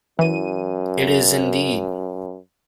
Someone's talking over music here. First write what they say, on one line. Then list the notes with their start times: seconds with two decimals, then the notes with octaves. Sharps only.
It is, indeed!
0.19 F#2 E3 D#7